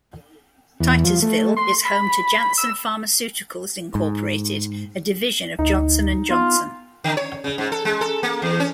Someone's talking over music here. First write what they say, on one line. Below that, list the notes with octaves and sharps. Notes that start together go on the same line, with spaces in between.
Titusville is home to Janssen Pharmaceuticals Incorporated a division of Johnson and Johnson.
E2
F3
A3
C6
B5
E6
G#2
D2 D#4
B3 F4
D3
C#5
C#3
G#2
A4
G#3
A4
A#3
E2
C#4